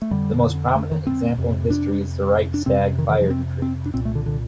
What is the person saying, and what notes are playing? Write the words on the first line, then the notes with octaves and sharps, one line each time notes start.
The most prominent example in history is the Reichstag Fire Decree.
A3
F2 D3 G3
A3
D#3
C4
F2 C3
D4
D4
F2 C3 C4
D#3
D#3
F3
C4
C4
D4
C2 A#2 C4
A3
D3
D3